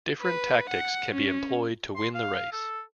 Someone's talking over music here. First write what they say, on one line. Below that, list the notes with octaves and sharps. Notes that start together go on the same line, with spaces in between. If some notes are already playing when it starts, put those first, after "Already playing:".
Different tactics can be employed to win the race.
B4
F#5
C#4
C6
F5
A4